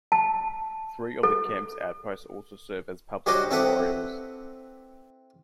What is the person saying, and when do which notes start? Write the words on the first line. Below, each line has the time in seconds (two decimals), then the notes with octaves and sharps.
Three of the camp's outposts also serve as public memorials.
0.12 A5
1.23 A4
3.26 F#3 G3 D4 F#4 C5 D#5
3.51 C4 E4 A4 B4 F#5